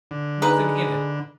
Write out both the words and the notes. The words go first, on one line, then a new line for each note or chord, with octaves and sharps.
Nothing in it?
D3
D#4 G#4 B4